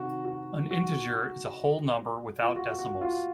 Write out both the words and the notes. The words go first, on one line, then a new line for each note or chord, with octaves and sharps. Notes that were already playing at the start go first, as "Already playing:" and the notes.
An integer is a whole number without decimals.
Already playing: C3 D#3 F#4
F#4
F#4
F4
F#4
F#4
F4